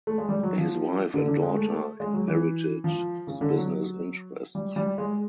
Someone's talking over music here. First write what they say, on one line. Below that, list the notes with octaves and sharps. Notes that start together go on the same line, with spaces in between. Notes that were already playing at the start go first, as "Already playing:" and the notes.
His wife and daughter inherited his business interests.
A3
G#3
G3
F#3
F3
D3
D3
G#3
A3
G#3
F#3
E3
F3
C#3
D3
F#3
G3
G3
G#3